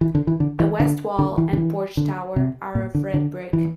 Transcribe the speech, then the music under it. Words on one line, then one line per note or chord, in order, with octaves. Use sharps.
The west wall and porch-tower are of red brick.
E3
D3
E3
D3
E3
D3
D3
E3
D3
E3
D3
C3
A#2
D3
D3
E3